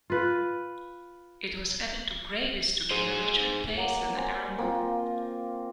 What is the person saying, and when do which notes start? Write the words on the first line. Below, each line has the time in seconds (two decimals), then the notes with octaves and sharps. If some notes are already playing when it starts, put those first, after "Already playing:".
It was added to gravies to give a richer taste and aroma.
0.10 F4 B4
2.91 G#4 C5
3.77 F#3 A#3
4.17 C5 G#5 C6
4.58 A#3 C4 F4